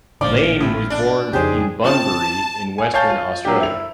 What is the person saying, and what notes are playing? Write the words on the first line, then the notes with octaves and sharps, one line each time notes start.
Lane was born in Bunbury in Western Australia.
A1 A#2 D3 F3 D5
A2
D4
F2 C#3 D#4 G4 G#4 C5
C4 F4 A5
G#5
C#5 F5 G#5 A5 G6 A6
F4
F#3 A#3 D4 G4
E4 F7